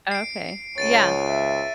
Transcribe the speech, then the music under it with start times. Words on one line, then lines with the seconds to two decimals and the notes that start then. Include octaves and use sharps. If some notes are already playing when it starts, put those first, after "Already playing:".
Oh, okay, yeah.
0.11 C7 D7
0.78 C#2 C#5 A6 D7 D#7
1.29 E5